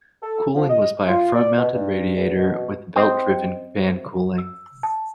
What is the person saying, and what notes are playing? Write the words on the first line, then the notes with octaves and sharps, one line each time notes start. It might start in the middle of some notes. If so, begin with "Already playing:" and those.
Cooling was by a front-mounted radiator, with belt-driven fan cooling.
A4
F3
D#5
F4
D5
B2
G2
E2
B2
C4 C5 D#5 G5
E6
A5